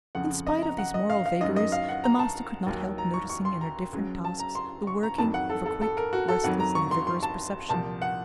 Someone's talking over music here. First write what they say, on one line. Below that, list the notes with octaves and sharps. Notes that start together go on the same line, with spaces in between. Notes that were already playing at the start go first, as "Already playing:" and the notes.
In spite of these moral vagaries, the master could not help noticing in her different tasks the working of a quick, restless, and vigorous perception.
F2 C#3 F3 F#5
D#5
A#5
F#5
D#5
F5
F5
F#2 D#3 F#3 D#5
D#5
F5
F#5
A#5
A5
D#2 D#3 F#3
A#5
C#6
C#6
C6
A#5
C#2 C#3 F#3
A5
A#5
C6
C#6
A#5
F2 D#3 F#3 A5
F#5
A4
A4
A4
A#4
F#4
A4
F2 D#3 F#3 F#5
A#5
C#6
C6
C6
A5
C2 A#2 F3 A5
F#5